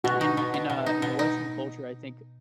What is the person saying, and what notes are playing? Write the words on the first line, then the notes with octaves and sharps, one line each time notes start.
In in a in the Western culture, I think,
B2 F#4
D#4
B2
B2
B2
D#4
B2
D#4